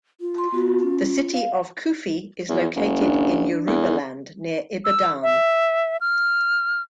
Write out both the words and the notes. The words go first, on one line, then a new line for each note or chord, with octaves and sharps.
The city of Kufi is located in Yorubaland near Ibadan.
F4
C6
B3 F4 F#4
C#4
F5
E2
F#1
D4
E2
E6
E5
F6